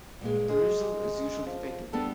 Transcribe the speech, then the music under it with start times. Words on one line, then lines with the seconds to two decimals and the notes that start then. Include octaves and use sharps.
The result is usually fatal.
0.21 G2 A#2 G#3
0.49 G#3 G#4
1.46 F3
1.93 G3 B3 D4 A4